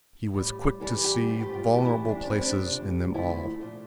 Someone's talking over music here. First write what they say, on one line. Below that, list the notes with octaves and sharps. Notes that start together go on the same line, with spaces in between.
He was quick to see vulnerable places in them all.
A2 G3
G2 E3 G3 A4
G4
G2 F3 A3 F4
G4
F4
G2 E3 A3 G4
E4
D4
G2 F3 A3 D4
C4
D4
F2 C3 G3
D2 D3 F3 A3 E4
A#2 F3 A3